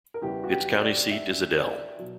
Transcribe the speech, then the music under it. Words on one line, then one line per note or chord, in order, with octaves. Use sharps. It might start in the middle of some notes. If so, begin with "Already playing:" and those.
Its county seat is Adel.
A#4
E2 C#3 E3 G3 G4
F#4
G4
D5
E5
D5
B2 F#3